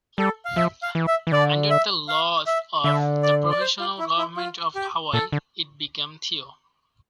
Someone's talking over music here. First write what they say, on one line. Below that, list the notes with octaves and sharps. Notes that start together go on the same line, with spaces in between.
Under the laws of the Provisional Government of Hawaii, it became Theo.
G3 A4
F5
F3 E5
F5
E3
E5
E3
D3 D5
E5
F5
E5
D3 E5
D5
D5
C5
F4
E4
E4
F4
G4
A#2 A4
D3